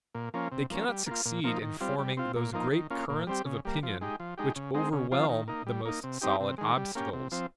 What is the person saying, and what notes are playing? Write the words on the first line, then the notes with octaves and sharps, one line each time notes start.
They cannot succeed in forming those great currents of opinion which overwhelm the most solid obstacles.
A#2
F3 A#3 C#4
C3
F3 A#3 C#4
G3
A#3 F4
A#2
F3 A#3 D#4
D#3
G3 C4 F4
G3
C4 F4
A#2
F3 A#3 D#4
D#3
A#3 C#4 F4
A#2
G3 C4 G4
C#3
G3 A#3
F3
G#3 D#4 G4
F3
G#3 D#4 G4
C#3
G#3 C4 D#4
C#3
F3 C4 F4
D#3
A#3 D#4
G3
A#3 D#4
C3
G3 C4 D#4 G4
C3
D#3 G#3
G3
A#3 C#4 G4
C3
F3 C4